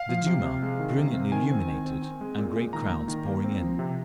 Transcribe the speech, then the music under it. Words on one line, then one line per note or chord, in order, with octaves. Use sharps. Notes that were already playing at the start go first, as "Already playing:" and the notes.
The Duma brilliantly illuminated and great crowds pouring in.
Already playing: F5
F3
C3
C3
G#3
D#3
C3
C4
D#3 G#5
C4
D#3
C4
C4
G#3
A#2
A#2
D#3 A#5
A#3
D#3
A#3
C4
F3
C3